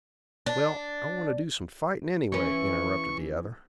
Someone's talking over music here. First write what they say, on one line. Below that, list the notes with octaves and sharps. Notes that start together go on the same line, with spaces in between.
"Well, I wanta do some fighting anyway," interrupted the other.
D4
E3 C#4 C#6